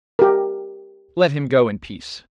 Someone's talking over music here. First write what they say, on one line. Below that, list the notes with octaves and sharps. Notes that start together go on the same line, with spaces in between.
Let him go in peace.'
G4 A#4